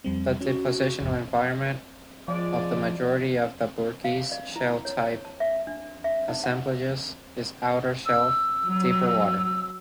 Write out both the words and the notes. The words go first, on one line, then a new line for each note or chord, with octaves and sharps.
The depositional environment of the majority of Burgess-Shale-type assemblages is outer shelf, deeper water.
F2 G3 C4
C#4 F#4
A1 F2 G#2
F3 G#3 D5
F5
D5
E4
C#5
A5
E5
D4
E5
D#4
F#5
E6
F#3